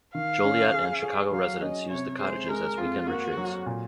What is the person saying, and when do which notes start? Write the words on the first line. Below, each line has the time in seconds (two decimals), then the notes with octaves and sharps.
Joliet and Chicago residents used the cottages as weekend retreats.
0.15 D#3 F5
0.44 C#4
0.73 G#4
1.02 G#4
1.32 F#3 F5
1.61 C#4 D#5
1.90 C3 C#5
2.19 G#3 C5
2.49 G#3 A#4
2.78 F2 F4
3.07 A#3 F#4
3.37 F#3
3.66 A#2